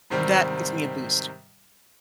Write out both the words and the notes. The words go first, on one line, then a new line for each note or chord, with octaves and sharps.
that gives me a boost.
G#2 C3 D#3 G3 C4